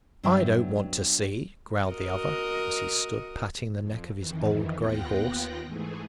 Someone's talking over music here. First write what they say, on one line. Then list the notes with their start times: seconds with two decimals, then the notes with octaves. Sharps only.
"I don't want to see," growled the other, as he stood patting the neck of his old grey horse.
0.23 G2 F#3 B3 E5 G5
1.86 F#4 A#4 D#5
3.80 F2
4.17 F2 D#3 E3
4.79 D#2 B3 F4 G5 F#6 A#6
5.64 G#2 E3 A3 G#4